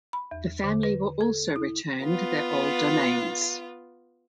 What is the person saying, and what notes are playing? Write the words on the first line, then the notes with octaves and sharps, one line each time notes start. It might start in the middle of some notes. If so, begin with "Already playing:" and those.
The family were also returned their old domains.
B5
E2
D3
B4
A4
E4
B3 F4